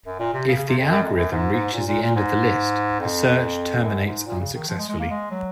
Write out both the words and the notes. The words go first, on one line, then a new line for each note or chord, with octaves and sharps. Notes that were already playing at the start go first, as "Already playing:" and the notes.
If the algorithm reaches the end of the list, the search terminates unsuccessfully.
F#2
A#2
C3
C#3
C#3
C3
F2
F#2
F2
F#2
G#2
G#2
A#2
A#2
A#2
G#2
F2
F#2
G#2
A#2
C#3
D#3
F3
G#3
G#3
A#3
G#3
F#3